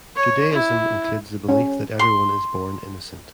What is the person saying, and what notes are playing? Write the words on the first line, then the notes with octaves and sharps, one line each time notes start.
Judaism includes the belief that everyone is born innocent.
C#5
E4
C#4
C6